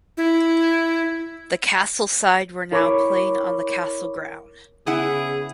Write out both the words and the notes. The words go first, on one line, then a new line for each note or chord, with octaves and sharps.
The Castle side were now playing on the Castle ground.
E4
E4 A#4 C#5 B5 C#6 D6
C#3 B3 E4 G#4 F#5